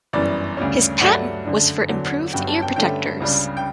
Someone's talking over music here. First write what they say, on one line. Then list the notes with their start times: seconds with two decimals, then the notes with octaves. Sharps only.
His patent was for improved ear protectors.
0.13 G1 F#2 E3 G3 D5
0.57 D2 C#3 G3 C#4
1.01 G2 F#3 A3 D4 F#5
1.45 F#2 D3 A3 D4
1.89 E2 D3 F#3
2.32 G1 G2 F#3 C#4 G5
2.48 A5
2.62 G5
2.76 G2 D3 A3 C#4 G5
3.20 C#2 C#3 G3 D4
3.57 G5